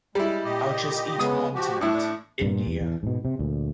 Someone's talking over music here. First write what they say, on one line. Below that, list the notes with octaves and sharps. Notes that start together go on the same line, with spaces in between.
I’ll just eat one tonight, India.
G3 G#3 E4
A#2 G4 D#5
C#3 G#3 B3 D#6
F3 F#4 G4
A2 D4 E4
G2 A#2
E2
E2
G#2 B2
C3
D2 A#2